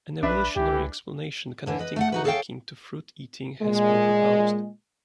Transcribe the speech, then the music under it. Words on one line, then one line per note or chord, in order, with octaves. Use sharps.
An evolutionary explanation connecting lekking to fruit-eating has been proposed.
A#1 D4 B4 E5
C#2 E3 G4
A2 D3 E3
B4 D#5
A3 F5 F#5
D#4 F#4 B4
G#4 A4 C#5 D5 F5 G5
A#2 G#3